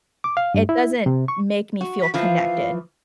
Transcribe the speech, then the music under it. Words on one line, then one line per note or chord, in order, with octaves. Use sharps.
it doesn't make me feel connected
D6
F5
G2
E4
C3
C#6
F#4
B6
E3 F3 F5